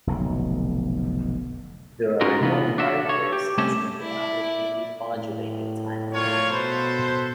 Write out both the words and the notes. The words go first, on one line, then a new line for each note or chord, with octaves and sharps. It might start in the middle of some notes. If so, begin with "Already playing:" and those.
There are no markers as in the amplitude modulated time code.
F1 B1 D3
C#4 D#4 F4 F#4 A#4
C3 E3 B3 D#4 F4
D4 F#4 E5
A4 C#5
G4
C2 A3 C4 C#4 G4 A5
E4 D5
A2
A#2 F4 C#5
B2 A4 B4 C5